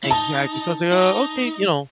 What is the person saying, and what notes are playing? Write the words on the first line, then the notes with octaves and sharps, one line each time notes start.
Exactly. So I was like, "Oh, okay," you know,
E4
D#4 A5
E4
D#4